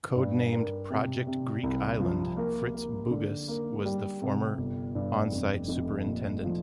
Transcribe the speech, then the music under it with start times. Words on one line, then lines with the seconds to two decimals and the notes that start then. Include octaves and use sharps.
Code named "Project Greek Island", Fritz Bugas was the former onsite superintendent.
0.16 G2
0.53 A#4
0.90 C3
1.27 C3
1.63 C2
2.00 F3
2.37 A#3
2.74 A#3
3.11 D3
3.48 A#3
3.85 G3
4.22 C3
4.58 G1
4.95 G2
5.32 F1
5.68 F1
6.06 A#2
6.43 F3